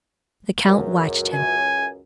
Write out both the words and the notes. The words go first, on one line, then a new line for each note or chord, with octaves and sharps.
The count watched him.
C#2 F#2
G#5